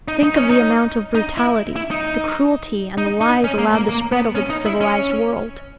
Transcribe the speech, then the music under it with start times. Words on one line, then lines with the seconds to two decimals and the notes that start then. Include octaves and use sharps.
Think of the amount of brutality, the cruelty and the lies allowed to spread over the civilized world.
0.08 D#4
0.23 D#4
0.37 C#4
0.50 D#4
1.15 D#4
1.38 E4
1.76 E4
1.91 D#4
2.98 D#4
3.21 D#4
3.44 C#4
3.58 A#3
3.74 A#3
3.89 A#3
4.12 B3
4.35 C#4
4.50 D#4
4.66 E4
4.81 C#4